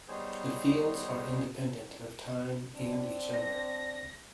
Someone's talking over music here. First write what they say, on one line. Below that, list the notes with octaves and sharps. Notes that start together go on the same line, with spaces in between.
The fields are independent of time and each other.
G3 B3 D#4 G#4 C5 C#5
C4 D4
A#6